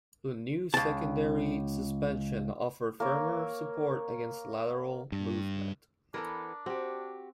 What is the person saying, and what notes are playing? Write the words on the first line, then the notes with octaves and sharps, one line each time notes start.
The new secondary suspension offered firmer support against lateral movement.
C#2 A5
A#3 A#4 C#5
G2
E3 B3 D4 A4 A#4
C4 F#4 G4